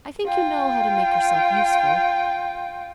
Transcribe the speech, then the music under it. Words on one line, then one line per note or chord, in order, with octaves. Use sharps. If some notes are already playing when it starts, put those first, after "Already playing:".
I think you know how to make yourself useful.
F4 G5